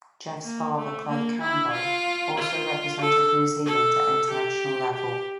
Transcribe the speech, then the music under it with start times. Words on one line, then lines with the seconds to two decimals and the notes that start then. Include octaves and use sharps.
Jeff's father, Clive Campbell also represented New Zealand at international level.
0.44 A#3
0.77 A3
1.08 A#3
1.41 E4
1.73 F4
2.37 F4
3.01 A4
3.66 A4
4.30 G4
4.94 G4